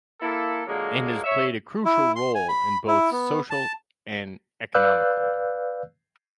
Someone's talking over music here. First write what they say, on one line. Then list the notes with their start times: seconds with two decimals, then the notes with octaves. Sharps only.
And has played a crucial role in both social and economical.
0.21 A#3 E4 A4
0.67 A#2 D3 F#3 G#3 A#3
1.24 C#5 E5
1.85 E4
2.16 C6
2.35 G#5
2.48 B5
2.88 E4
3.12 B3
3.50 A5
4.74 B4 D5 F5 E6 F#6 G6